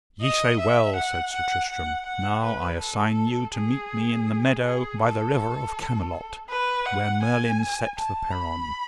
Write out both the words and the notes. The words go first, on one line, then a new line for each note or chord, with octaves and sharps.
Ye say well, said Sir Tristram, now I assign you to meet me in the meadow by the river of Camelot, where Merlin set the peron.
D#5
E5
F#5
F#5
F#5
F#5
B4
A4
G#4
G#4
A4
B4
F#5
G#5
A5
B5